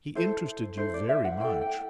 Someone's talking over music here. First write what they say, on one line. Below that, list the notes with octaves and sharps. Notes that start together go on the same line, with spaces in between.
He interested you very much.'
E4 A4 C5
E4 A4 C5
D5
E5
F#5
E4 A4 G5
G5